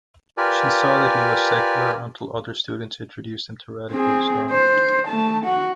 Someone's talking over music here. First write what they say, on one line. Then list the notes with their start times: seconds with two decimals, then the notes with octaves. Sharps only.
She saw that he was secular until other students introduced him to radical Islam.
0.38 F4 G4 A#4 B4 D5 G#5
3.91 C4 G#4
4.50 C5
5.08 A3 A5
5.45 F#4 F#5